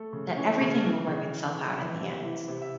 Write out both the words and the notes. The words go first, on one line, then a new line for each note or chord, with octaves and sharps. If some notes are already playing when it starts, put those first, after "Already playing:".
that everything will work itself out in the end
Already playing: A3 A4
C#3
E3 C#4 C#5
C#3
E3
C#3
E3
C#3
E3 E4 E5
C3
E3 E4 E5
C3
E5